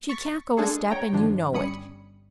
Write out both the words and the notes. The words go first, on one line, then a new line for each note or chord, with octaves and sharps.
She can't go a step, and you know it.
C#6 A6 B6 C#7
G#3 A#3 D4 G#4 A4
C#5 G5 A#5
G2 D#3 F3 D4
G1 G3 C#4 B5 D#6 C#7